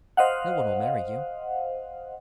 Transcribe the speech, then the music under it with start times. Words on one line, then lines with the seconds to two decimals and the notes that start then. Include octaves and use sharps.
No one will marry you.
0.17 C5 D#5 F5 F#5